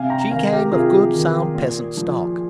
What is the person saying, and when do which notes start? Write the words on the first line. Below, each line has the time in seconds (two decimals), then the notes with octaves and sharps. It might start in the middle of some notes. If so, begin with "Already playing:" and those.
She came of good sound peasant stock.
Already playing: C3 F5 G#5
0.10 G5 A#5
0.31 D#3 F5 G#5
0.52 G4 A#4
0.72 C3 F4 G#4
1.14 D#3
1.55 A#2
1.97 F3